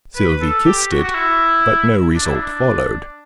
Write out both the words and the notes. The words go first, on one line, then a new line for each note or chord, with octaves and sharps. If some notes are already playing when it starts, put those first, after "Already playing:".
Sylvie kissed it, but no result followed.
B4
A4
G4
F#4
F#4
E4
D4
E4
D4